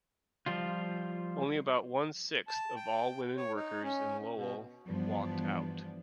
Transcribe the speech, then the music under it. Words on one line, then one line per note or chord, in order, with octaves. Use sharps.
Only about one sixth of all women workers in Lowell walked out.
F3 G3 F4
A5
G5
C#5
D#4
C#4
B2
G2 E3 F3 G3 B3 D4